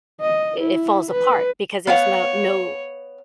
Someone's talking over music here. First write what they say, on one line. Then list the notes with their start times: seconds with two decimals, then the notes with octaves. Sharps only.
i it falls apart because there's no no
0.21 D#5
0.60 E4
1.11 B4
1.87 B3 C#5 F5 F#5